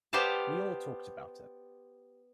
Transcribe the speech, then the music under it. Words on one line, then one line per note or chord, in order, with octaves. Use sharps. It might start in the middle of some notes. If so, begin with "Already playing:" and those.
We all talked about it.
B3 G4 C5 D5 F5 A5